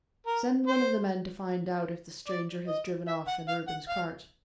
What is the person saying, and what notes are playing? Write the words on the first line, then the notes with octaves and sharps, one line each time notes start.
"Send one of the men to find out if the stranger has driven off in Reuben's cart."
A#4
C5
D5
D#5
E5
F#5
F5
F#5
F5